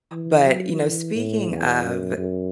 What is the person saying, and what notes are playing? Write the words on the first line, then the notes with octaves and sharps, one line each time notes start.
But, you know, speaking of,
E3
F#3
E3
A2
E2
F#2
F#2